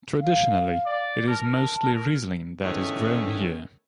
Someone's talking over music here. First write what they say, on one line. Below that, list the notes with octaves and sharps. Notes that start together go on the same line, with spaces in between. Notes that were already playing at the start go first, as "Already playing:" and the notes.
Traditionally, it is mostly Riesling that is grown here.
F5
D5
A#4 A5
A#4
E2 G2 D#3 A3 B3 C#4